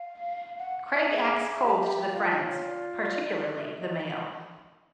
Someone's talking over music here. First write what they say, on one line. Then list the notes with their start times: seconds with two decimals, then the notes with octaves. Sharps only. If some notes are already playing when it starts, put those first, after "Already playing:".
Craig acts cold to the friends, particularly the male.
Already playing: F5
0.58 F#5
0.93 E5
1.10 G#4
1.62 G4
2.13 F4 D5
2.29 C5
2.39 C#5
2.65 D5
3.58 E5
3.69 D#5